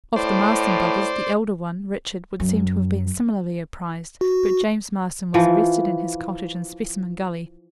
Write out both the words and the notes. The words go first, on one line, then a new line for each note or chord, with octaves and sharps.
'Of the Marston brothers, the elder one, Richard, would seem to have been similarly apprised, but James Marston was arrested in his cottage in Specimen Gully.
A2 C5 D5
F#2
F#4
E3 F3